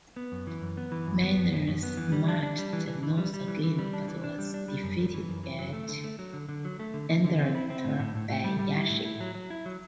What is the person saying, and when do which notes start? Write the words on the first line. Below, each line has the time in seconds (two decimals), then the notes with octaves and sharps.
Menas marched north again, but was defeated at Enderta by Yeshaq.
0.16 B3
0.32 F#2
0.47 E3
0.62 F#2
0.77 B3
0.92 E3
1.07 F#2
1.22 B3
1.37 F#2
1.52 F#2
1.68 F#2
1.83 B3
1.97 E3
2.12 G3
2.28 D4
2.43 D4
2.58 G3
2.73 E3
2.87 E3
3.03 E3
3.17 G3
3.34 G3
3.48 E3
3.64 E3
3.79 G3
3.93 D4
4.08 E3
4.24 D4
4.38 G3
4.54 D4
4.68 G3
4.84 F#2
4.99 F#2
5.14 E3
5.29 F#2
5.43 E3
5.59 F#3
5.73 A3
5.88 D3
6.04 A3
6.19 F#3
6.33 D3
6.49 D3
6.65 F#3
6.80 A3
6.94 D3
7.10 D3
7.25 D3
7.39 C4
7.55 E4
7.70 C4
7.85 A2
7.99 A2
8.15 A2
8.30 A2
8.44 G3
8.59 G3
8.75 E4
8.90 A2
9.05 E4
9.20 F#3
9.35 F#3
9.50 E4
9.66 F#3